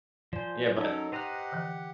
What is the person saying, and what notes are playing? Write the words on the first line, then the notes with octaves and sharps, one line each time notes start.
Yeah, but
F3 C5 D5 G#5
F#3 C#4 D#4 A4 A#4 D#5
G4 B4 C5 D#5 F#5 A#5 F#6
D3 E3 F3